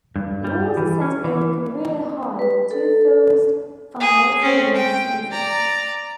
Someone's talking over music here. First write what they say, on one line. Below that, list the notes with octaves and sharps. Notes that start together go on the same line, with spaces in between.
He also set a career-high with two forced fumbles during the season.
G2
G3
E3
C#4
E3
B4
A4
G#4
C4 C#4
G5
D5 A#5